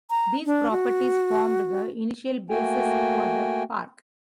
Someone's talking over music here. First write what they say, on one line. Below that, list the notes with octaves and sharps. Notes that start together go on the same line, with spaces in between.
These properties formed the initial basis for the park.
A#5
D4
F#4
A3 A#3 F#4 G5 G#5